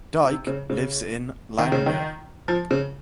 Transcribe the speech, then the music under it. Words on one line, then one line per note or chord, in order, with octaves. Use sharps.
Dike lives in Langa.
C3
C#3
C#3
D#3
C#3
D#3
F3
C#3